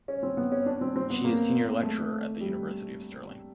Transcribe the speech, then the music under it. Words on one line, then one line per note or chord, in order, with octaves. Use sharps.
She is Senior Lecturer at the University of Stirling.
C#4
C4
B3
C#4
D4
C4
C4
B3
A#3
A3
G3